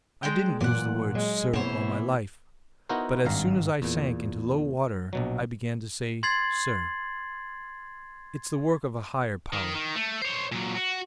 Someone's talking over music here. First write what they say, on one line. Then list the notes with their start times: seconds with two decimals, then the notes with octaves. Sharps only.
I didn't use the word 'sir' all my life, but as soon as I sank into low water I began to say 'sir.' It's the work of a higher power.
0.23 G#3 D4 G5
0.61 A#2 E3 F#3 D5 F#5
1.15 F#3 G#3
1.54 B2 E3 A#3 C4 C5 C#5 F#5
2.89 B3 D#4 E4 F#4 A#4 C5
3.25 G#1 G2 F5 A#5
3.82 E2 A#2
5.13 A#1 B2 F#3
6.23 C6 G#6 A6 C7 F#7
9.53 D#3
9.75 D#3
9.95 A3
10.22 C5 C#5
10.52 A#2 F#3
10.75 F#4